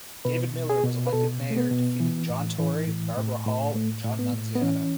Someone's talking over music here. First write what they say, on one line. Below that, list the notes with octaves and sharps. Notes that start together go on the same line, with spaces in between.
David Miller was elected mayor defeating John Tory, Barbara Hall and John Nunziata.
B2 B4
B2
G#4
B2
B4
B2 A4
B2
A3
B3
B2
E3
A2
E3
A2
A2
A2
A2 A3
A2
B3
A2
B3
E3 C#4